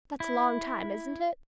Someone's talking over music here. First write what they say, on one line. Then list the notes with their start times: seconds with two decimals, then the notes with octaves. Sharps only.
That's a long time, isn't it?
0.20 E4